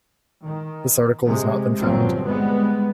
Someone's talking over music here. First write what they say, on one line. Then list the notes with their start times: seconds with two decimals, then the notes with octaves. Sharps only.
This article has not been found.
0.43 D#3
1.25 C3 G#3
1.80 G1 A#2 F3 F#3 C4
2.25 G3 G#3 B3